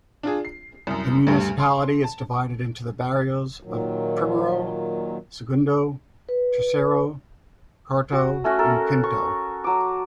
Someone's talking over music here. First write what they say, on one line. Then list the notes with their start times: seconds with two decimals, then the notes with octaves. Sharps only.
The municipality is divided into the barrios of Primero, Segundo, Tercero, Cuarto and Quinto.
0.23 D4 F4 G#4
0.45 C7
0.87 C2 F#2
1.27 D2 G2 G4
1.60 C6
2.04 A5
3.63 A#2 D#3 F#3
6.29 B4
8.12 F#4
8.44 A3 C#4 F#4
8.59 A4 A#4
9.03 C#6
9.64 F#3 D6